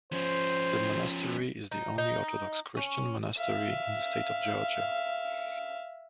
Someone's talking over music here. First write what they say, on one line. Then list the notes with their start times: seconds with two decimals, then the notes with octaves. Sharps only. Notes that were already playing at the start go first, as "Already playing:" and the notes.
The monastery is the only Orthodox Christian monastery in the state of Georgia.
0.12 F3 C#4 C5
1.71 D#4
1.98 D#4
2.77 C#4
3.37 E5 F5